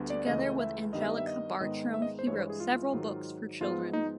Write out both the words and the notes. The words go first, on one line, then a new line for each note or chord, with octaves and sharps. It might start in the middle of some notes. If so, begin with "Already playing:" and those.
Together with Angelika Bartram he wrote several books for children.
Already playing: D2 D3 G3 B3
D5
C#2 C#3 E3 A3 D#5
E5
G2 D#3 G3 B3 D#5
E5
D#5
E5
D#5
G#2 D#3 G#3 B3 D#5
E5
D#5
C5
G2 E3 G#3 C#5
C5
C#5
G#4
F4
G#2 D#3 F#3
G#2 F3 G#3 B3 F4
D#4